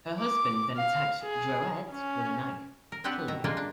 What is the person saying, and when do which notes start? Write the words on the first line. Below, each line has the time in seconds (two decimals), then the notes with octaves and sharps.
Her husband then attacked Drouet with a knife, killing him.
0.21 D6
0.76 F5
1.23 G#4
1.91 C#4
2.92 A#4
3.04 B3 C4 D4 G4 B4 F#5
3.28 B2 D#3 E5 A#5
3.44 G3 G#3 A#3 D4 F4 A#4
3.57 D4